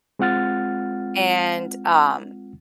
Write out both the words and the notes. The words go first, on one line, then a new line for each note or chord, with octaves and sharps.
and, um,
G#3 C4 F4 F#5 F6 A6